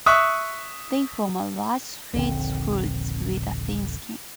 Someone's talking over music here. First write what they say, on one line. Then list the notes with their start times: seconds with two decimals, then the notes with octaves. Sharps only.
They form a large sweet fruit with a thin skin.
0.06 E5 C#6 D#6 F#6
2.14 D#1 A#1 D3 C4